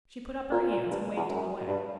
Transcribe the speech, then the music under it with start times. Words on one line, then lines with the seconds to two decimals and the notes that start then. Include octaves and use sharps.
She put up her hands, and waved him away.
0.52 A#2
0.71 A#2
0.90 G2
1.16 E2
1.29 F#2
1.68 G2